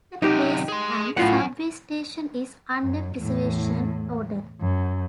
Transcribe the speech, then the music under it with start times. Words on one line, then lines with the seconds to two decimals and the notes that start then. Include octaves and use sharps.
The place and subway station is under preservation order.
0.22 F#2 C3 D#4 G4
0.68 G#4 C6
1.17 F#2 A2 F4 F#5
2.83 F#2
3.17 E2 A2
4.61 F#2